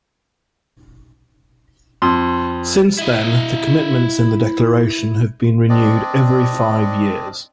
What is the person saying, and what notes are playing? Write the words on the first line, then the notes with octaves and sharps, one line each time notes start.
Since then, the commitments in the Declaration have been renewed every five years.
F2 C6
E4 D#5
C4 D4 D5 D#5